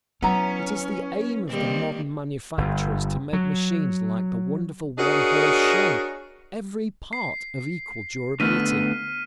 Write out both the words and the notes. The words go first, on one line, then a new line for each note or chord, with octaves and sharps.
It is the aim of the modern manufacturers to make machines like the wonderful one-horse shay, every part of equal durability.
F#3 B3 C#4 E4 A#5
D#3 G3 A#3 C4
G1
F#3
D4 F#4 G#4 A#4 C#5 D#5
C7
D3 A3 B3 F6 B6 D#7